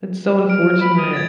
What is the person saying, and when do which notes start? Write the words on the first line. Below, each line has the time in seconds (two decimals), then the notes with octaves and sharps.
It's so unfortunate.
0.50 F6 D7
0.81 B5
0.98 D#6
1.13 F3 G#6 A6